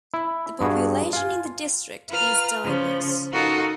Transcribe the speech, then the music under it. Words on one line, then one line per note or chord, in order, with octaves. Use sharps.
The population in the district is diverse.
E4
G2 F#4 G#4
F4 G#5
F4 B4 A#5 F6
C#3 F3
D#4 F4 F#4 A4 A#4 F#5